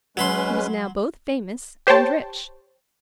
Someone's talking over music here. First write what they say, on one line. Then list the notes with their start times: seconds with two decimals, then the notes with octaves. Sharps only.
He was now both famous and rich.
0.17 F#3 G#3 C#4 B4 B5 C6
1.87 G4 C5 C#5 G5 A5